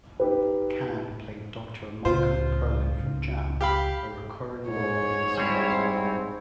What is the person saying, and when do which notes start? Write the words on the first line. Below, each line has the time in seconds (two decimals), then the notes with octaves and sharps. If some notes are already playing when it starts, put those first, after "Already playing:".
Cann played Doctor Michael Perlin from "Jam", a recurring role in the series.
0.20 D#4 G4 B4
2.05 C#2 A2 F4 C5
2.98 C#2
3.61 G4 F5 B5
4.66 G#2 G#4 C#5
5.38 G3 C4 E4